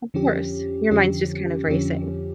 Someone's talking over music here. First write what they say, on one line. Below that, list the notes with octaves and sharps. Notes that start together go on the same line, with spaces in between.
Of course, your mind's just kind of racing.
F2 D3 F3 C#4 G4
F2 D3 F3 C#4 G4
F2 D3 F3 C#4 G4